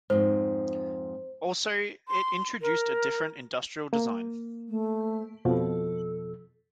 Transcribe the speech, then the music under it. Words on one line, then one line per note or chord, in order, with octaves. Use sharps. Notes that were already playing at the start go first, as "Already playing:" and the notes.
Also it introduced a different industrial design.
F2 G#2 C5
C6
A#4
A#3
A3
F2 B2 F3 A4